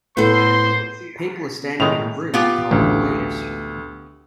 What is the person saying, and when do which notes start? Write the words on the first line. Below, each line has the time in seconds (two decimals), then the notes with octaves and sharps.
People are standing in a room with colored balloons.
0.17 A2 B3 A4 C5 C6
1.80 A2 D#3 G#3 F7
2.34 B3 F4 G4
2.71 A1 D2